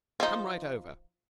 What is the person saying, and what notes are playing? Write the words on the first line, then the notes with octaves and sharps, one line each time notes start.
Come right over.
F3 D#4